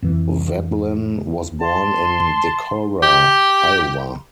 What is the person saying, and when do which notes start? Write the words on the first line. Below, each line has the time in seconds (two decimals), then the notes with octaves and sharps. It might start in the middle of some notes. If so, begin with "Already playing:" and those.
Veblen was born in Decorah, Iowa.
0.02 F2 E3
1.62 A5 C6
3.03 G4